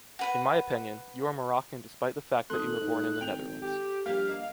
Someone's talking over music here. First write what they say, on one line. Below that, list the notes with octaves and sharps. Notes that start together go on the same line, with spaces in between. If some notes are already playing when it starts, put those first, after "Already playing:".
In my opinion, you are Moroccan despite the fact that you were born in the Netherlands.
F#4 B4 F#5
G#1 A4 C6 D#6 F#6
G#2
G#1 G5 F7
G4
A#1 G3 A#3 G4 F5
A#3 D#5 F6